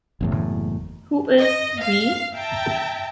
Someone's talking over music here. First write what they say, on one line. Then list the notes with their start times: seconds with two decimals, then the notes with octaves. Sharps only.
Who is "we"?
0.21 F#1 E2 A2
1.38 D#5
1.81 F5
2.35 E5 G5 A5 A#5